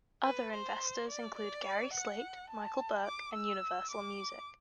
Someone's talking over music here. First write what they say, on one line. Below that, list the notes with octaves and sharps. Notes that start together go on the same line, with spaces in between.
Other investors include Gary Slaight, Michael Burke and Universal Music.
B4
C5
D5
D5
F#5
A5
D6
E6
D6